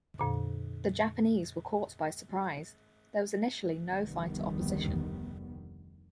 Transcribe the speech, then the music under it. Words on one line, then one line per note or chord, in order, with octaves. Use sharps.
The Japanese were caught by surprise; there was initially no fighter opposition.
F2 A#2 D3
F1 D2 D#3 G3 B3